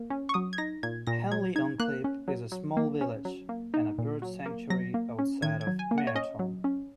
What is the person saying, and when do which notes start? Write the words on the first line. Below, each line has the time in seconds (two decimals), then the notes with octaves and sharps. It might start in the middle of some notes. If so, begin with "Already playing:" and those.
Henley on Klip is a small village and a bird sanctuary outside of Meyerton.
Already playing: A#3
0.10 C#4
0.29 C#6
0.34 F#3 D#6
0.53 G#6
0.58 D#4 A#6
0.83 A#2 G#6
1.07 A#2 A#6
1.31 F#3 G#6
1.56 D#4 G#6
1.80 A#3 F#6
2.04 C#4
2.28 F#3
2.52 F#3
2.77 A#3
3.01 C#4
3.25 F#3
3.49 A#3
3.74 D#4
3.98 A#2
4.22 F#3
4.46 A#3
4.70 F#3 A#6
4.94 A#3
5.19 C#4
5.42 D#3 G#6
5.61 G#6
5.67 F#3
5.79 G#5
5.91 A#3
5.98 F#5
6.07 C#5
6.16 C#4 D#5
6.39 F#3
6.64 C#4